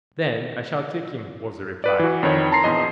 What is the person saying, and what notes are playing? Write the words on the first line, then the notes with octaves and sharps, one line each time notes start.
"Then I shall take him," was the reply.
B4 D5
E3 F#4
F2 D#3 C#5
A5 A#5 C6 C7
A#1 E2 D#5 C6